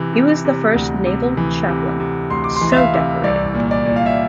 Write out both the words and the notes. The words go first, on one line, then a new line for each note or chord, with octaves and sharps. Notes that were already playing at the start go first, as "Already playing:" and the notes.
He was the first Naval Chaplain so decorated.
Already playing: C3 E3
C3
C3
D2
C3
E3
C3
C3
D2 C6
D6
C6
E3
E5
F5
C3
C2 D5
A#2
D5
A#2
F5
E5